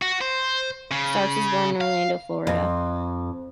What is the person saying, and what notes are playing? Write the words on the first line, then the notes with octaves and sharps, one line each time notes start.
Starks was born in Orlando, Florida.
F#4
C5
C#3
F5
F2